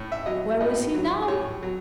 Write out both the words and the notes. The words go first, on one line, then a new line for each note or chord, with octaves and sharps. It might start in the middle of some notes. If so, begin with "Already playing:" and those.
"Where is he now?"
Already playing: A2
E5
F#3 D#5
A2 D#5
F#3
A2 C#5
F#3